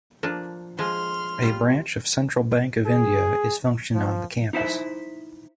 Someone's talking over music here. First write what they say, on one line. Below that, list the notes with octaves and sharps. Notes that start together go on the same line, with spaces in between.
A branch of Central Bank of India is functioning on the campus.
F3 A#3 D4
F3 G#3 C6 F6
G3 F4
G#4
F3
D#4 E4 C5 E5